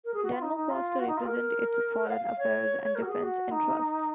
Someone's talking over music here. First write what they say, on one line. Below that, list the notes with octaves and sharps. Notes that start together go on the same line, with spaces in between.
Denmark was to represent its foreign affairs and defense interests.
A#4
G#4
F#4
F4
D#4
D#4
F4
F#4
D#4
F4
A#4
F#5
F5
F5
C#5
A#4
F#4
G#4
F#4
D#4